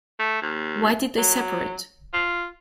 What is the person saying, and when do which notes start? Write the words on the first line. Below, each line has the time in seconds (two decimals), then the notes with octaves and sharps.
Why did they separate?
0.20 A3
0.42 D#2
1.17 F#3
2.13 F4